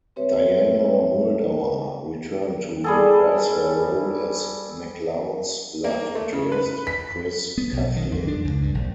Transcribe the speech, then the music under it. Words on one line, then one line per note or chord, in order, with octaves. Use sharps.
Diana Muldaur returned to reprise her role as McCloud's love interest, Chris Coughlin.
C4 G4 B4 C#5 E5
G3 G#4 A4
A#3
A3
C#3
B4
B6
B3
B1
D#3
F2
D4
C#2
G2
A#1